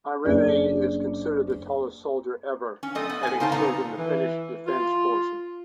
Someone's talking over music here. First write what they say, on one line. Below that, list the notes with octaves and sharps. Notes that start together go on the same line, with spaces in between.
Myllyrinne is considered the tallest soldier ever, having served in the Finnish Defence Forces.
F#1 C#4 D4 G#4 D5
C#4
F#3 A3 C4 A4 D#5
B3
A2 G#5
C#3 C4 D#4 F5 A5
G2 A#2 B3 D#4 A4 A#5
E3
F4